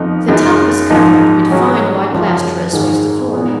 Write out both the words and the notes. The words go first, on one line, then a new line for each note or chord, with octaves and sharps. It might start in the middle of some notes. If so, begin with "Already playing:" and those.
The top was covered with fine white plaster, as was the floor.
Already playing: F2 F3 B3 D#4
F#2 C#3 G#3 D#4
G#2 F3 A#3 D#4
G#2 F#3 C#4 F#4
F#2 C#3 F3
G#2 D#3 G#3
A#2 G#3 B3 D#4